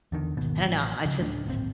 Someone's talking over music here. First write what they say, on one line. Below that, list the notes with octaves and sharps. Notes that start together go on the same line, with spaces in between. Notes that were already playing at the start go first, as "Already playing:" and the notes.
I don't know, I just
E2 D3 D#3
G#1 D#2 B2 D#3
A1
C#3 F3
D1 A3 D4
D1 G#1 A#2 C4